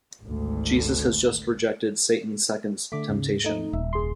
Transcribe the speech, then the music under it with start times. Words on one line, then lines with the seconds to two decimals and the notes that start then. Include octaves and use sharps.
Jesus has just rejected Satan's second temptation.
0.24 G#1 D2
2.92 D3 A3 D6 B6
3.09 D#2 G#2 C#3
3.44 A3 D#4
3.73 D#1 E5
3.93 C2 G#4 C6